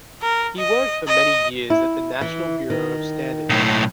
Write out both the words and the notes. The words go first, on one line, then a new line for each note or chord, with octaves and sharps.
He worked for many years at the National Bureau of standards.
A#4
D#5
D#5
E4
E3
D#3
B1 A2